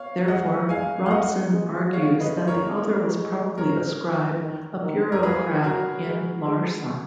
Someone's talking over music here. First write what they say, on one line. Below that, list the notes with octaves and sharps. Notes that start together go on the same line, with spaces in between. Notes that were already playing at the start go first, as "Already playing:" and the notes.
Therefore, Robson argues that the author was probably a scribe, a bureaucrat in Larsa.
Already playing: C#5 F5
G#3 D#5 F#5
G#3 F5 G#5
F5
G#3 D#5 F#5
G#3
G#3 C#5 F5
B4 D#5
G#3
A#4 C#5
G#3
G#3
A#4 C#5
D#3
D#3
A#4
F3 G#4 B4
F#3 F#4 A#4
G#3
G#3